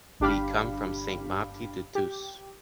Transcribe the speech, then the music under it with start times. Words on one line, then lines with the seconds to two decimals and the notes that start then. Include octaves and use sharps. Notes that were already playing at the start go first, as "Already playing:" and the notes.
We come from Sant Martí de Tous.
0.20 G1 D4 G4 F5 B5
1.95 G4